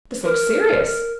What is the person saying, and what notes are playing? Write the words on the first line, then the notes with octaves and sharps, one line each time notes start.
This looked serious.
A#4